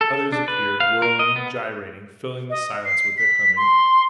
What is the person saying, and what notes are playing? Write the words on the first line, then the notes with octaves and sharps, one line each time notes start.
Others appeared, whirling, gyrating, filling the silence with their humming.
A4
D4
B4
F5
A#4
D#5
B3
D#5
C7
B6
C6